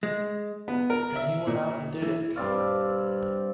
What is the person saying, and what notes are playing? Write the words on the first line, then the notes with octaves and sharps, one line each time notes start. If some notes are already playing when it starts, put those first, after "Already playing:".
And he went out and did it.
G#3
B3
A#4
E5
A#2
E3
G2 C4 D5 F5